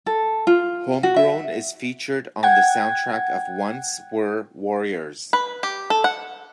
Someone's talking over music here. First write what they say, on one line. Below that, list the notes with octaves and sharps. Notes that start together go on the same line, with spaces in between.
"Homegrown" is featured on the soundtrack of "Once Were Warriors".
A4
F4
F#4
E5
F#5 G5 G#6
B4
G4
A4
F#5